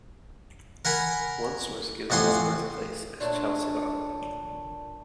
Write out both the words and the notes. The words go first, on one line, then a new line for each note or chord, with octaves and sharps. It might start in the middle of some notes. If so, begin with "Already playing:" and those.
One source gives his birthplace as Chalcedon.
A#4 F#5 G#5 B5
A1 F2 F#5 G#5 C6
A#2 A3 D4 C#5